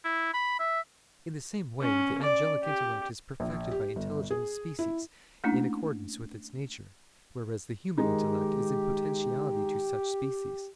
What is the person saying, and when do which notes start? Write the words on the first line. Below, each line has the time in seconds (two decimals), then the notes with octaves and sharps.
In the same way the angelic intellect is perfected by intelligible species, in accordance with its nature; whereas the human intellect is in potentiality to such species.
0.04 E4
0.34 B5
0.59 E5
1.81 C#4
2.22 D5
2.64 G4
3.40 A#1
3.71 G4
3.96 G1
4.31 G#4
4.79 E4
5.44 A3 A#3 C#4 D4 E4
7.98 D#3 G#3 D#4 G4